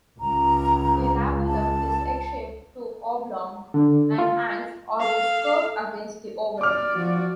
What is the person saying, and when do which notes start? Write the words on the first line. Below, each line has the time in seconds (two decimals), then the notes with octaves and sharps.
The labellum is egg-shaped to oblong and hangs or is curved against the ovary.
0.20 C#2 A#5
1.47 A5
3.74 D3
4.18 F4
5.00 A4 F5
6.61 D5 D6 F6
6.95 F3 F#4